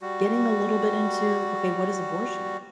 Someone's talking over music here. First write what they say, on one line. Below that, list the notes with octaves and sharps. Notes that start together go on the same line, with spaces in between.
getting a little bit into, "Okay, what is abortion?"
G3 F#4